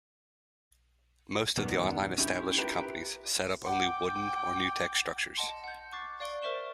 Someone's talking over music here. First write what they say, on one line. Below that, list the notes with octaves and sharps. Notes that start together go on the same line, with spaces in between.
Most of the online established companies set up only wooden or nutec structures.
E2 B2 D#3 F#3 G3 B3
C#4 D#4 E4 G4
E4 F4 G4 A#4 B4 G5
F#5 G5 D6
D#5 F#5 A5 C6
F#5 G6
C#6 D6 F#6 A6 C7
D5 F5 C#6 D7 G7
A#4 C5 E5 C#6 E7 G7